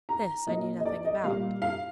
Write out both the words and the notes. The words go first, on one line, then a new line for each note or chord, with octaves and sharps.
This I knew nothing about.
A#5
A#2 F3 A#3 D#5
D#5
D5
D#5
A#2 G3 A#3 F5
F5